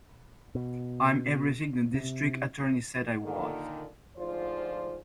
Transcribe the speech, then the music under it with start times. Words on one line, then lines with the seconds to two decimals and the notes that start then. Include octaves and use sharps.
I'm everything the District Attorney said I was.
0.55 B2
1.94 C3
3.22 A#2 D3 D#3
4.17 D2 G#2 F3 F4 C5 D5